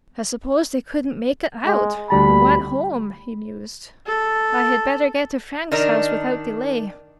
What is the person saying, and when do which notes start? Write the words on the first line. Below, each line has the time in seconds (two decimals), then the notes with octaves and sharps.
"I suppose they couldn't make it out and went home," he mused. "I had, better get to Frank's house without delay."
1.66 G#3
2.10 D2 G3 A5 B5
4.07 A4
5.72 D#3 D4 A#4 D#5